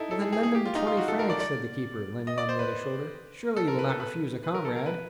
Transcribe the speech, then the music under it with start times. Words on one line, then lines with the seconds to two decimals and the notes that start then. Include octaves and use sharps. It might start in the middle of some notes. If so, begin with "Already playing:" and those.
"Well, then, lend him the twenty francs," said the keeper, leaning on the other shoulder; "surely you will not refuse a comrade!"
Already playing: D#4 E4 A4
0.11 A4
0.22 G#4
0.32 G#4
0.43 G#4
0.55 G4
0.65 F4
0.75 D#4
0.87 F4
0.97 F#4
1.08 A4
1.19 A#4
1.30 D5
1.40 D5
2.27 D#5
2.38 D5
2.49 C5
2.59 B4
3.57 A4
3.68 A#4
3.79 B4
3.89 A4
4.00 B4
4.44 B4
4.54 A#4
4.65 A4
4.76 A#4
4.86 B4